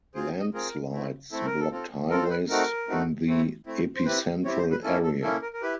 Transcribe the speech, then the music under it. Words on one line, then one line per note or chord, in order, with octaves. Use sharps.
Landslides blocked highways in the epicentral area.
C4 F4 G#4 C5
D#5
C4 F4 G#4 A#4
A3 C4 E4
A3 C4 E4 A4
A#4
A4
C4 F4 A4
C4 F4 A4 A#4
C5
B4
A3 C4 D#4 F#4 A4 A#4
A3 C4 D#4 F#4 A4
A3 C4 E4
A3 C4 E4
C5
C4 E4 G4 B4
C4 E4 G4 C#5
C5
B4
A#3 C#4 E4 A4
A4
A#3 C#4 E4 A4
A#4
A#4
E4 G4 B4